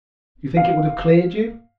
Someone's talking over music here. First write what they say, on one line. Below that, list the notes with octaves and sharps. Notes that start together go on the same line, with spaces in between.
You think it would have cleared you.
F5